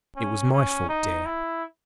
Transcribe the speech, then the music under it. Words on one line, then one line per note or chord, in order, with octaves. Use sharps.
'It was my fault, dear.
C#4
C#4
D#4
E4